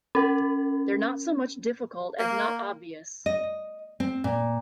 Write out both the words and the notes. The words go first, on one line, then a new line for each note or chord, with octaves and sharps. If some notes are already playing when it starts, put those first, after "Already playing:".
They're not so much difficult as not obvious.
C#4 A#4
A#3
D#5
C4
A#2